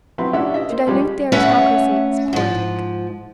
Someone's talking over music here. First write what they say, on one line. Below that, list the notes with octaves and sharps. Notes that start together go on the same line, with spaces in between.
To dilute the aristocracy is politic.
F#3 C4 E4 B4
C#4 D4 E4 G4 E5 F#5
D#5 E5
A#3 C5
F3 G3 G#3 C#4 G4
A3 C#4 B4 C#5 E5 F#5
G#2 F3